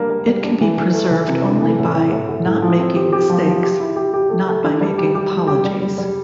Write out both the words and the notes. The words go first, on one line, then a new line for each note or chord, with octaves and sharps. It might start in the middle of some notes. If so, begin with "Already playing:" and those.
It can be preserved only by not making mistakes, not by making apologies.
Already playing: G3 A#3 D4
A#3
G3
D4
E3
E3
A3
E3
C3
D4
E3
A2
E3
A2
A2
A2
F3
C4
G4
G4
F3
F3
G4
E4
G4
G4
A3
A3
D4
G3
G4
G4
G3
G4
G3
G3
G3